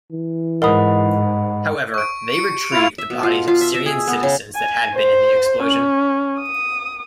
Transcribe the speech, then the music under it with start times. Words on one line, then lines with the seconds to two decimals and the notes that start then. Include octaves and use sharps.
However, they retrieved the bodies of Syrian citizens that had been in the explosion.
0.12 E3
0.62 G#2 A#4 D#5 F#5 B5 D#6
1.94 C#6 D7
2.32 C#7 D7
2.72 E4 F4 F7
2.98 E5
3.10 B2
3.23 F4
3.48 F4
3.61 E5
3.74 E5
3.86 G#4
4.07 B3
4.23 C#3
4.55 G#5
4.95 C5
5.63 C#4
6.40 D#6